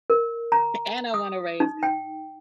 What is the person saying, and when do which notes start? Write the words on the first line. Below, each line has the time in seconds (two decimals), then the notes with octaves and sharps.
A and I wanna raise.
0.10 A#4
0.52 A#5
1.14 D#6
1.60 D#4
1.83 G5